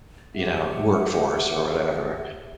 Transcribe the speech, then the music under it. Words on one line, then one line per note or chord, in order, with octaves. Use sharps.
you know, workforce or whatever?
G4 G#4 E5 F#5